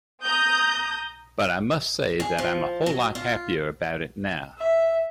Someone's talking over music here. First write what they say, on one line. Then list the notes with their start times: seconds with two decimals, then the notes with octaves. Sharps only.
But I must say that I'm a whole lot happier about it now.
0.24 A#5 D#6 G6
2.20 G#4
2.38 F3
2.86 F#3
3.15 F4
4.58 E5